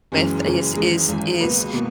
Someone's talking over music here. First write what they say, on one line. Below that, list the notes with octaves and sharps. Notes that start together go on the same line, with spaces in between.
with is is is
F#1 F#2 C#3 E3 G#3
F#1 F#2 C#3 E3 G#3
G#1 F#2 E3 G#3 G#4
G#1 F#2 E3 G#3
C#2 B2 A#3 B4
B2 A#3